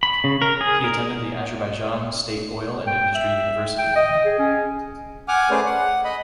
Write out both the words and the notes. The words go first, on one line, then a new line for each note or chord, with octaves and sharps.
He attended the Azerbaijan State Oil and Industry University.
B5
C#3
A#4
G#4
A#4
G5
E5
G5
D#5
G#4
C#4
F#5 G#5 D6 F6
A3 C#4 G#4 B4 C5 D5
F#5
D#5 B5